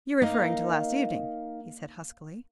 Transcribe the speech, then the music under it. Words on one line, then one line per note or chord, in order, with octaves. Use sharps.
"You're referring to last evening," he said huskily.
A#3 D#4 D#5 F5